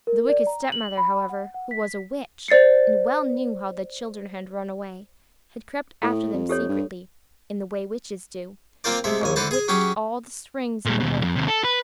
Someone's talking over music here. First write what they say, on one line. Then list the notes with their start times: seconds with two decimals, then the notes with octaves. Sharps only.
The wicked stepmother, however, who was a witch, and well knew how the children had run away, had crept after them secretly, in the way witches do, and had bewitched all the springs in the wood.
0.07 A#4
0.30 D5
0.47 A#5
0.72 F#7
0.98 B5
1.29 F#5
1.54 F#5
1.71 B6
2.48 C5 D5 A6 C7 C#7
6.03 A2 A4
6.34 F2
6.49 G4 A4 C#5
6.70 G2
8.84 A#3 C4 F4 A#4 C5 D5
9.04 C3 G#3 E5
9.21 A#1 D#2 G#5
9.36 D3 E3 B4 C5 A5
9.51 G#4 G#5
9.68 F#3 C#4 G4 G#4
10.85 A#2 G3
11.00 D#2 B2
11.20 C2 F2
11.36 D#2 C3
11.48 A4
11.64 B4